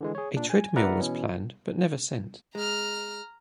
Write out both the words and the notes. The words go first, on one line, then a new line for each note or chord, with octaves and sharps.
A treadmill was planned, but never sent.
D3 E3 G#3
G#4 C#5
A#2 D4
G#5
A#4 B4 D5 E5 F#5 A#5
B2 E3 C#4
G#3 A#5 F6